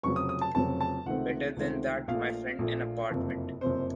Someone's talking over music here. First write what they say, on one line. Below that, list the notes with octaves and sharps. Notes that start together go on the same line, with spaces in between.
Better than that, my friend... an apartment.
F1 F2 C#3 F#3 C4 C#6
D#6
D#6
A5
F1 F2 C#3 F#3 C4 A5
A5
C#2 C3 D#3 A3 C4 F#5
C#2 C3 D#3 A3 C4
A#1 A#2 A3 F5
A#1 A#2 A3
F#1 F2 C3
F#1 F2 C3 C5